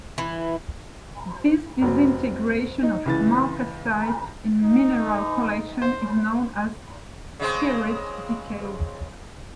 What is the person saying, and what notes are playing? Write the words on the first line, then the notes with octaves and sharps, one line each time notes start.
This disintegration of marcasite in mineral collections is known as "pyrite decay".
E3
F1 F#3 C4
D#4
C#2 E3 A6
D#4
C5
C#3 G#3 C4